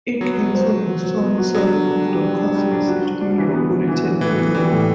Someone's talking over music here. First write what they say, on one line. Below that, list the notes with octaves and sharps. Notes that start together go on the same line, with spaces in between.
It lies on the south side of the Carson City metropolitan area.
F#3 B3
B3
C5
F#3
F#4
F#3
B3
F#4
F#3 D4
D3
D4
G3
G3
D4
G3
D4
F#4
F#4
D4
E3
B3
F#4
E3
F#4
A2 E3
B3
E3 G3
A2